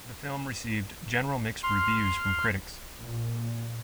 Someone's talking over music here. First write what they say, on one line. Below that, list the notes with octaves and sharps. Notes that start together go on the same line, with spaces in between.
The film received general mixed reviews from critics.
C6 F6
A#2